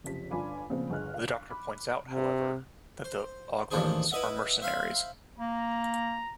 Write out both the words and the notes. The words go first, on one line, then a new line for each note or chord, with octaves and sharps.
The Doctor points out, however, that the Ogrons are mercenaries.
F#1 C3 F3 B6
G1 D4 F4 G#5 B5 D6
A#2 C#3 F3 B3 C4
G1 G#4 D#5 F6 F#6
F5
B5 D6
C3
C5
A1 D#2 F3 D4 G#4 C5
E4 B4 D#5 E5 F#5
C5 E5 F5 B5 C6
A#3 A#5